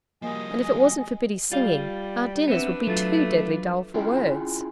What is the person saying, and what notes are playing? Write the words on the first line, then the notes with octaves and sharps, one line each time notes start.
And if it wasn't for Biddy's singing, our dinners would be too deadly dull for words.'
F3 G3 A#3 D#5 G#5
G3 F4 F5
B3 C4 D4 B4 E5
F#3 A3 F4
C#4 E4 F4 G#4 G5 G#5